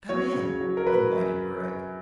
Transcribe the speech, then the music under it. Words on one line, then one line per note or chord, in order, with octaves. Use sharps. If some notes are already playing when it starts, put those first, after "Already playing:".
"Come in," invited Gregg.
F#3 C#5
C#3
F#3
A#4
F#3 B4
F#2